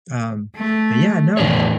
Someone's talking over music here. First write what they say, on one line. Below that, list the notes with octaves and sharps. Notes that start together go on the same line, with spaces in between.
um, but, yeah, no.
A3
E2 A2 D#3 D4 C#5